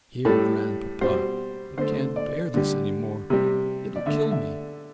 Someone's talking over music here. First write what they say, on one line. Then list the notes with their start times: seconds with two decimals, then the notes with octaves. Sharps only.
Dear Grandpapa, I can't bear this any more, it'll kill me...
0.25 A2 G3 A4
1.01 B2 G3 C5
1.77 D3 A3 C5
2.16 D5
2.54 D3 G3
3.30 C3 G3
3.96 D5
4.06 D3 A3 E5
4.31 E5